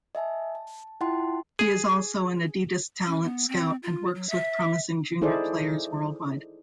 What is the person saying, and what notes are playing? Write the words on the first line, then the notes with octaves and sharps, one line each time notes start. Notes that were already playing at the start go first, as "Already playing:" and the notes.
He is also an Adidas talent scout and works with promising junior players worldwide.
D#5 E5 G#5 A5
A5
E4 F4 F#5 G5 A5 C6
G#4
C#4
B3
C4
F4
F#3
E5
D#4 E4 G#4 A4 C5 D5